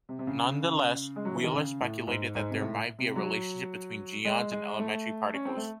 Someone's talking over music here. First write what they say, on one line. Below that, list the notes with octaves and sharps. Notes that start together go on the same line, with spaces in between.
Nonetheless, Wheeler speculated that there might be a relationship between geons and elementary particles.
C3
C3
C#3
G#3
F#3
E3
D#3
C#3
A2
G#2
G#2
C3
A2
C3
F#3
G#3
G#3
A3
C#4
C4
A3